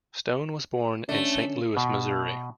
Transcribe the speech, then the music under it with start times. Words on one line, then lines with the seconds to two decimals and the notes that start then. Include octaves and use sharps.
Stone was born in Saint Louis, Missouri.
1.09 D3 A3 C#4 D4
1.77 B2